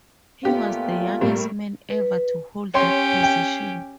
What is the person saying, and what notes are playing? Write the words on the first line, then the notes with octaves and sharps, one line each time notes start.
He was the youngest man ever to hold that position.
A#2 A3 B3 F4 G4
A2 G3 A#3
B4
C#4 G4 C#5 G5 C6
G5